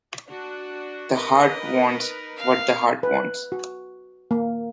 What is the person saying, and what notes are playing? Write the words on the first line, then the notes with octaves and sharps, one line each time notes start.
The heart wants, what the heart wants.
D4 F#4
D#4 A#4 B4 D#5
F5
B4
F#4
A#3